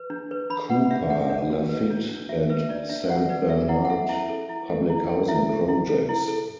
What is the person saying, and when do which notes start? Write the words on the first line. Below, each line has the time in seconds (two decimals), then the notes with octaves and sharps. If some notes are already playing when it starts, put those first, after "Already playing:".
Cooper, Lafitte and Saint Bernard public housing projects.
Already playing: B4
0.10 D4
0.31 B4
0.50 D4 B5
0.70 B4 F#5
0.90 D4 E5
1.10 D4 F#5
1.30 D4
1.50 F#4
1.69 B4
1.90 D4
2.09 D4
2.29 F#4 E5
2.49 B4 E5
2.69 D4 D5
2.89 D4 E5
3.09 F#4 F#5
3.29 B4 D5
3.49 A4 E5
3.69 E4 F#5
3.85 F#5
3.89 A4 E5
4.09 E4 E5
4.30 A4
4.49 E4
4.69 A4
4.90 E4
5.09 A4
5.28 E4 E5
5.49 A4
5.69 E4
5.89 A4
6.09 E4
6.28 A4